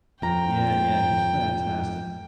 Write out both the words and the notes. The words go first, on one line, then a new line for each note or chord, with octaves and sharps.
Yeah, yeah, he's fantastic.
F2 G5 A#5